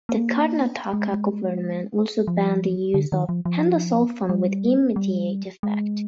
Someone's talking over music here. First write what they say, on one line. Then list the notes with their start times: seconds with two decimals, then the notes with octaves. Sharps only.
The Karnataka government also banned the use of endosulfan with immediate effect.
0.09 A#3
0.93 G#3
2.27 F3
2.94 D3
3.12 D#3
3.29 F3
3.45 F3
4.29 G3
4.96 G3
5.63 G#3